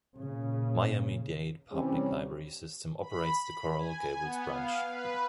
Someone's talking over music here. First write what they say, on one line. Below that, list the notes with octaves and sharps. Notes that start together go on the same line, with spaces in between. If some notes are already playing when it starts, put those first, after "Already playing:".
Miami-Dade Public Library System operates the Coral Gables Branch.
A#2 C#3
C3 E3 G3 C#4
B5
G#5
B3
F5
B4